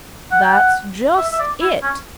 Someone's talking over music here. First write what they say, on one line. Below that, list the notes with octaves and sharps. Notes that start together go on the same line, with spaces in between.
'That's just it.
F#5
G5
F#5
E5
E5
D5
E4
C#4